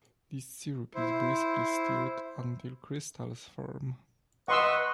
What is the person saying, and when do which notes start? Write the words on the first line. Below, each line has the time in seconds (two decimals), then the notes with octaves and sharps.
This syrup is briskly stirred until crystals form.
0.95 E4 C5
4.48 B4 D#5 F#5 C6 C#6 E6